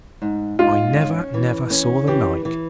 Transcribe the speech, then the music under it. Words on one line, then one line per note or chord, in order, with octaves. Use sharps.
'I never, never saw the like.
G#2
G#2 F4
C#4
E3
C#4
E3 G4
E3